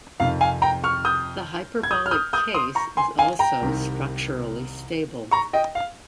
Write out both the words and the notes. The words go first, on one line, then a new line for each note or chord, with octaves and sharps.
The hyperbolic case is also "structurally stable".
F2 C3 D#3 F5
F5 G#5
G5 A#5
C#6 F6
D#6 G6
G#6
D#6 G6
F6
D#6 G6
D#6 G6
C6 D#6
A#5 C#6
G#5 C6
F5 G#5
G5 A#5
C2 C3 D#3
A#5 C#6
D#5 G5
F5